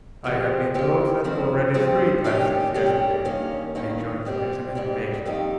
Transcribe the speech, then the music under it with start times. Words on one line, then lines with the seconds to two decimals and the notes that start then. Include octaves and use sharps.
"I have been told that already three times since yesterday," rejoined the prisoner impatiently.
0.24 C#3 F3 C4 G4
0.74 C#3 F3 C4 G4
1.24 G2 F3 C4
1.74 G2 F3 C4
2.24 C3 D#3 G3 C#4 G4
2.74 C3 D#3 G3 C#4 G4
3.25 G2 D#3 A#3 C#4
3.75 G2 D#3 A#3 C#4
4.25 G#2 G3 C4 G4
4.75 G#2 G3 C4 G4
5.25 F2 D#3 A#3 D#4 G4